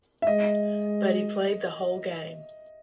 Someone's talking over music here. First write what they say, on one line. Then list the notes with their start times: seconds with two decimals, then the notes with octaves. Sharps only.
But, he played the whole game.
0.22 E5
0.27 G#3 D#5